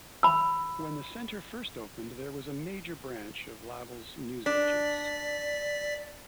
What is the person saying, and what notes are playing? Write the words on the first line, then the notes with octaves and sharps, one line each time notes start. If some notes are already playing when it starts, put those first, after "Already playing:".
When the centre first opened, there was a major branch of Lavells Newsagents.
B5 E6
D4 D5 B6